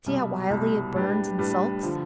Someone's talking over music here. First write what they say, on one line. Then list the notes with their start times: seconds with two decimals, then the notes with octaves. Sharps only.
See how wildly it burns and sulks.
0.06 C2 B2 G3
0.50 C2 B2 G3
0.95 A2 G3 D4 G4 B4
1.38 A2 G3 D4 G4 B4
1.83 D3 F3